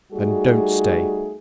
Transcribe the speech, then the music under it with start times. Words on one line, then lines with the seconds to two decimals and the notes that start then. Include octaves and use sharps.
"Then don't stay."
0.13 G3 A3 D#4 F#4 G#4